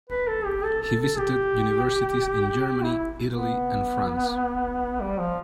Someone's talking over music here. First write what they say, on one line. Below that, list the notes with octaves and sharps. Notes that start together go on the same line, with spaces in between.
He visited universities in Germany, Italy, and France.
B4
A4
G4
A4
A4
A4
G4
E4
B3
G3
F3